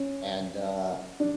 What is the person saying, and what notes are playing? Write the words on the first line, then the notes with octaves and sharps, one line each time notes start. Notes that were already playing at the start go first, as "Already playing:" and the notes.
and, uh
Already playing: C#4
D4